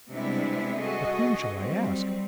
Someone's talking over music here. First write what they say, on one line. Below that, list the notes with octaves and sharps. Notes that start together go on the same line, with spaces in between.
But whom shall I ask?
C3 G3 G#3 B3 D4 E4
F#4 G#4 A4 D#5
F#3 G3 C4